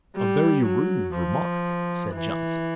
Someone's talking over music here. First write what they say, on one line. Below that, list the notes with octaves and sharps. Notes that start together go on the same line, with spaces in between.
"A very rude remark," said Johnson.
G3
F#3
F3
E3